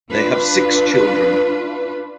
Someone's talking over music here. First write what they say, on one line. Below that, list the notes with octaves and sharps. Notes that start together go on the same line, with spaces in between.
They have six children.
D4 F4 B4